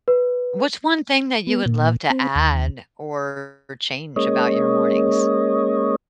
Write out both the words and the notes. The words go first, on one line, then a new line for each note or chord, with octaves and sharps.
What's one thing that you would love to add or change about your mornings?
B4
B3
A#2
C4
D#2
G#3 A#3 C#4 C#5 D#5